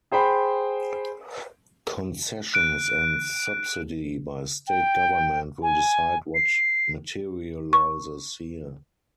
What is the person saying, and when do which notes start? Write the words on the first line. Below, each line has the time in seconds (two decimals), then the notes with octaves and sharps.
Concessions and subsidy by state government will decide what materialises here.
0.11 G#4 C5 G5 B5
2.54 F#6 D7
4.68 G5
5.63 G#5
6.35 C7
7.73 C#6